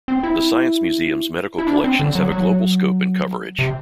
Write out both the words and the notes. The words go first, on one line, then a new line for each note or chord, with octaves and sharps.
The Science Museum's medical collections have a global scope and coverage.
C4
E4
E4
D4
C4
D3
F#3
F#3
C3